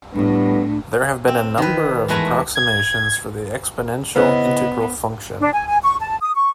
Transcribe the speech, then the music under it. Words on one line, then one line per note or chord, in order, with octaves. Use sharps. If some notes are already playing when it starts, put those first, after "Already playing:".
There have been a number of approximations for the exponential integral function.
A2 G3 B3 D4
C4
D#3 B4
E2 G#3 A3 B4 G#5 A#5
G#6
C#3 B3 E4 B4 C5 D#5
D4
G#5
G#5
C#6
A5
D#6
C#6